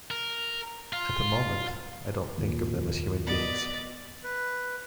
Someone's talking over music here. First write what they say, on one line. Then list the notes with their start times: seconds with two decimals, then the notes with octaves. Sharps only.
At the moment, I don't think of them as human beings.
0.11 A#4
0.93 F4
2.38 D#2 A#2
3.25 B3 D5 D#5
4.24 B4